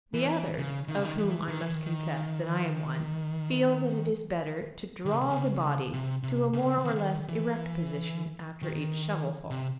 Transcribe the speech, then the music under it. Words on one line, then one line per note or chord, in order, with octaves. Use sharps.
The others, of whom I must confess that I am one, feel that it is better to draw the body to a more or less erect position after each shovelful.
E3
C#3
D#3
C#3
D#3
E3
D#3
E3
D#3
D#3
C#3
C3
C#3
C3
C3
C#3
C#3
D#3
E3
D#3
C3